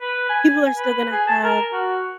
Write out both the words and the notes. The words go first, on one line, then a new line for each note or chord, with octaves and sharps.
people are still gonna have
B4
G#5
B4
G#4
A5
A#4
F#4